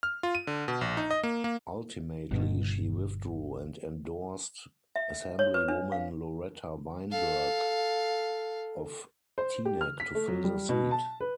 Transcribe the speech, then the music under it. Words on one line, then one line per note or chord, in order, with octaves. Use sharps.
Ultimately, she withdrew and endorsed Assemblywoman Loretta Weinberg of Teaneck to fill the seat.
F6
F4
D#7
D3
B2
A#1
D#4
D#5
A#3
A#3
G1 G2 B2
E5
C#5
B4
D4
F5
A4 F5
C5
G4
F6
B6
A3
F#3
G3
B2
A5
B4